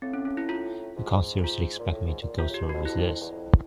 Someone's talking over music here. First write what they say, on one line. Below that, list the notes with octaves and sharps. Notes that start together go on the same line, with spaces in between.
You can't seriously expect me to go through with this?
A2 C4
C#4
A2 C#4
E4
F4
G#2
F4
A#2
A2
G#2
A#2
C3 F4
C#3 G4
B2
F2 F#4
F2 E4
F2
F2
E2
F2